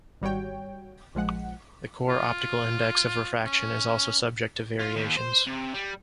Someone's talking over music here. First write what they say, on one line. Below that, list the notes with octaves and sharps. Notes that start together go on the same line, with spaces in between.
The core optical index of refraction is also subject to variations.
G#1 G3 F#4 C#5 G5
A#1 F3 G#3 F#5
F4
C#4
F4
D#2
C5
C3
G3